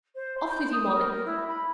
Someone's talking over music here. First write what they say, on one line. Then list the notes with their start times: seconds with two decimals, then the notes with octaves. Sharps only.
Off with you, Molly.
0.15 C5
0.37 C6
0.50 G6
0.72 D#6
0.93 A#4
1.10 A#4
1.25 E4
1.47 B5